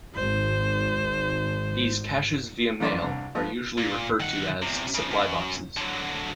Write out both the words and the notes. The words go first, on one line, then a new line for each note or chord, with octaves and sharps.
These caches-via-mail are usually referred to as "supply boxes".
G#1 C5
A1 F#2 E3 D5 C6 D6
C2 G2 C3
F3 A3 B3
A#2
D#3 F#5
E2 C3
C#3 F3
F#2
D3 F#3